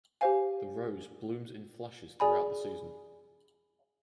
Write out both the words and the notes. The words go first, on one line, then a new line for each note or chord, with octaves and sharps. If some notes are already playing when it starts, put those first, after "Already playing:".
The rose blooms in flushes throughout the season.
G4 C5 F5 G#5
G#4 D5 G#5 B5